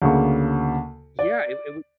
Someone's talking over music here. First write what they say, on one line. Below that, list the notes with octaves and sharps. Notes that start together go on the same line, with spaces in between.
Yeah. It it was
D2 C#3 A#3 C#6
D5